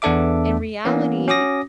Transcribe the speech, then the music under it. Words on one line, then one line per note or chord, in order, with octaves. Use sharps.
in reality,
E2 B3 D4 A4 E5 D6
E3 A#3 B3 C#4
C#4 F#4 D6 D#6 A#6